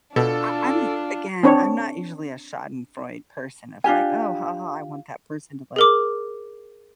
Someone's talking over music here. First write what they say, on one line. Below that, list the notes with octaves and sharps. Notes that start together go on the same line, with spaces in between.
I I'm Again, I'm not usually a schadenfreude person of, like, "Oh ha ha, I want that person to, like
B2 D4 F4 A4
C4 D4 C#5
D4 F4 G4 G#5
G#4 A#4 D6